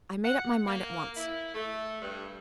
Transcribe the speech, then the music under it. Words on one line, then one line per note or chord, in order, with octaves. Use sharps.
I made up my mind at once.
F#5
A#3
E4
A3
G2